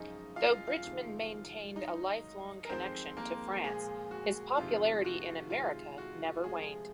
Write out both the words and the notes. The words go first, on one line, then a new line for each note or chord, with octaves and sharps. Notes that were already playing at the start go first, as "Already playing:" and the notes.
Though Bridgman maintained a lifelong connection to France, his popularity in America never waned.
Already playing: F#2 C#3 F3 G#3 D#4 D#5
F4 F5
F4 F5
F4 F5
F2 C3 D#3 G#3
G#2 D#3 F#3 D#4 D#5
A#4
F2 D#3 G#3 C4 C5
A#3 A#4
A#2 F3 G#3 G#4
F#4
F2 C3 D#3 G#3 F4
F#4
C3 D#3 G#3 F4
F#4
C3 F3 G#3 G#4